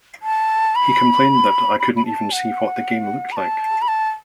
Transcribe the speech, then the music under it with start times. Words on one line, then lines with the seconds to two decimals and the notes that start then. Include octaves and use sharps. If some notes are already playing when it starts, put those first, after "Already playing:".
He complained that, I couldn't even see what the game looked like.
0.23 A5
0.75 B5
1.80 B5
1.96 B5
2.06 A5
2.32 F#5
3.32 B5
3.36 A5
3.82 B5
3.88 A5